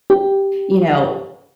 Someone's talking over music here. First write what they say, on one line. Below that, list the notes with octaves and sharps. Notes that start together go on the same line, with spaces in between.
you know,
G4